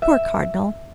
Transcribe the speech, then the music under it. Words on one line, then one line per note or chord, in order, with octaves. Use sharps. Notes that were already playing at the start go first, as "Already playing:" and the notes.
Poor cardinal!
E5